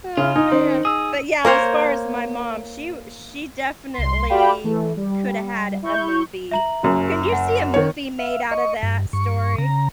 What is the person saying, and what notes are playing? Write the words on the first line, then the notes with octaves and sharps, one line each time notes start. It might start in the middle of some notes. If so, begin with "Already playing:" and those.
Oh, man. But, yeah, as far as my mom, she w she definitely coulda had a movie. Can you see a movie made out of that story?
C#3 F4
D#4 G#5
D#3 C#4 C5
G#4 D#6 E6
A#3 A#4 C5 C#5
C2 C6
F#4 G4 D5 F5 G5 B5
E3 A3
G3
E4 C#6 G6
E5 A#5 F#7
F#1 F#2
F#5 G#5
D#3 C#5
E5 F5
D#5 C#6
G2
G2 C#6
C#3 A#5